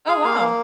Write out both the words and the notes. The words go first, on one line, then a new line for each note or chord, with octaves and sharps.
Oh, wow.
G#4 F5
A#3 F5
A#3